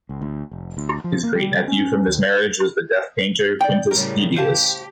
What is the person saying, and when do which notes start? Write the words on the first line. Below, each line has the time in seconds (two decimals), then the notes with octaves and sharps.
His great-nephew from this marriage was the deaf painter Quintus Pedius.
0.09 C#2
0.22 D2
0.51 F1
0.77 D2
1.04 F3
1.23 A#3
1.35 G3
1.68 C#4
2.07 D#2
3.61 D#4 D5 G5
3.91 A2 C#3 G3 A#4
4.36 G4 C5 F5 A5